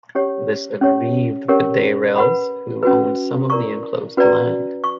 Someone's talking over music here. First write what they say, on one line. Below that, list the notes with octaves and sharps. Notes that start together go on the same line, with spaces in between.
This aggrieved the Dayrells, who owned some of the enclosed land.
C#4 G4 C#5
C#4 G4 C#5
C#4 G4 A#4 C#5
B4 F#5 B5
C#4 F#4 B4
E4 A#4 D5 A#5 C#6
C#4 F#4 B4 D5 A#5
C#6